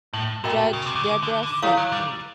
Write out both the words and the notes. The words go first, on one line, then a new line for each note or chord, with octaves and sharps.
Judge Debra sent me.
A2
A#2 F#4 A#4 D#5 G5 B5
C#3
C3
C#3
D3
D3
D3
D#3 E4 A4 C#5 F5 A#5
F#3
G3